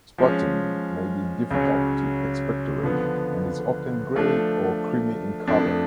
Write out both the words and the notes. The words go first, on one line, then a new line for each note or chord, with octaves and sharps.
Sputum may be difficult to expectorate and is often grey or creamy in color.
F3 G#3 C#4
C#2 C#3 F#3 C#4
D3 F3 B3
F3 A3 D4
F2 F3 A3 D4